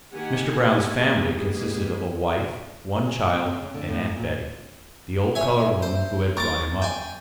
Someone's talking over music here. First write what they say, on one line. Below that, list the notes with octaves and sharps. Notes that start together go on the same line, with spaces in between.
Mr. Brown's family consisted of a wife, one child, and Aunt Betty, the old colored woman who had brought him up.
D#3 A#3 G4 F#5 G#5
G3 G#3 A#3 B3 G4 G#4
G#4
G#5
C4
C#3
C#3
D3
A2
G#2
A#2
C#5 E5 G#5
C5
A#4 C#6 D6 A6
G5 G#5